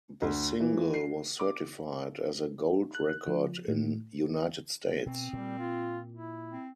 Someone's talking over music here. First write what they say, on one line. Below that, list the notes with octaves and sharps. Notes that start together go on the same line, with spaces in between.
The single was certified as a Gold Record in United States.
D2
E3
C7
D6
F#6
F3
A2
B2 C4
A#2 G3
F4
E4
C4